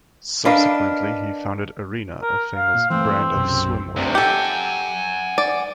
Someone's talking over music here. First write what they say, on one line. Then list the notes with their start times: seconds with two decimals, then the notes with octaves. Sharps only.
Subsequently he founded Arena, a famous brand of swimwear.
0.45 D4 A#4 B4 D#5 F5
2.22 A#4
2.56 F5
2.74 A#2
2.90 E3 A3 C4
3.35 B1 F#2 C3
3.97 D2 C3
4.15 G4 A4 F#5 G#5
5.38 D5